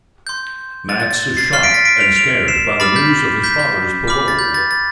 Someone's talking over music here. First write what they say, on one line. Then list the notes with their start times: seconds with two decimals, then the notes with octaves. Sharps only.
Max is shocked and scared by the news of his father's parole.
0.27 C6 G6
0.89 A6
1.00 A6
1.11 A6
1.37 A6 C7
1.53 C6 F6 A6 C7
1.63 B6 D7
1.74 A6 C7
1.85 B6 D7
2.00 D7 F7
2.16 D7 F7
2.48 C7 E7
2.80 B5 D6 F6 A6
2.96 G6 B6
3.44 G6 B6
3.59 G6
4.07 B5 D6 F6
4.28 A6
4.39 G6
4.54 A6
4.71 A6